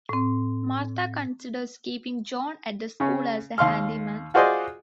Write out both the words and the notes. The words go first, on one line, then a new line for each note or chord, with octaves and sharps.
Martha considers keeping John at the school as a handyman.
A2 C4
C#3 C#4
D#2 F5 C6 F6
F4 F#4 G#4 C5 D5 D#5